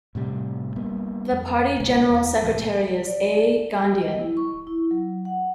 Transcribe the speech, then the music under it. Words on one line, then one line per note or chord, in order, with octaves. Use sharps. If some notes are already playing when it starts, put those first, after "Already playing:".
The party general secretary is A. Gandhian.
A2 C3 G3
G3 A#3 B3
F2
C#2 B2 G#3 B3
E2
C#2 A#2 F3 A3
D5
G4
D#5
E4
C#6
E4
F#3
F#5